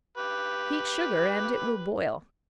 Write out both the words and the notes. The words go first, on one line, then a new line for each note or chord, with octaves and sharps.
Heat sugar and it will boil.
G4 B4